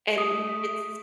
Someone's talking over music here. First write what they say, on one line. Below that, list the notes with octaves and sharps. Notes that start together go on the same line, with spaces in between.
And it's
A3 D#6